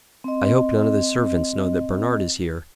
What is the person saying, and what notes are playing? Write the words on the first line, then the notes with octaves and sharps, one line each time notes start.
"I hope none of the servants know that Bernard is here?"
C4 D#5